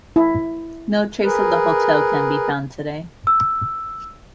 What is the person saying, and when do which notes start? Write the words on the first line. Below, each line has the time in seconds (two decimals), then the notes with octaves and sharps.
No trace of the hotel can be found today.
0.16 E4
1.23 G#4 A#4 B4
3.27 E6